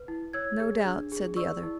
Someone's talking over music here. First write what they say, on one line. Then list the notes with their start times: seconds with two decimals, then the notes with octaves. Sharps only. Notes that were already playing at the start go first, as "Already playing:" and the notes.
"No doubt," said the other.
Already playing: B4
0.08 E4
0.33 C#5 E6 G#6
0.60 G#4
0.85 D4
1.12 G#4
1.36 D5 C#6 E6
1.63 E4